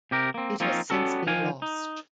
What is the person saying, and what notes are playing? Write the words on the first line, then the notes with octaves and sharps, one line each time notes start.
It has since been lost.
C3 G4 A#4
A#3 C4
F3 A#3 C4 C#4 D#4 F4
G3 B3 C#4 F#4 A4 A#4
D#3 F3 F5 G#5
D#4